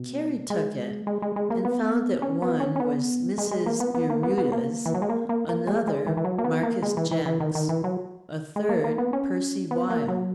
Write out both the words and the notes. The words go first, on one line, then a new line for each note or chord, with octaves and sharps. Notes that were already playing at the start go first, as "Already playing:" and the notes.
Carrie took it and found that one was Mrs. Bermudez, another Marcus Jenks, a third Percy Weil.
Already playing: B2
G#3
G#3
G#3
G#3
A#3
B3
C#4
B3
C#4
C#4
B3
G#3
G#3
A#3
B3
B3
A#3
B3
B3
A#3
E3
F#3
G#3
A#3
A#3
A#3
G#3
G#3
E3
E3
F#3
A#3
B3
A#3
G#3
E3
E3
E3
D#3
D#3
E3
F#3
G#3
A#3
A#3
B3
C#4
B3
A#3
F#3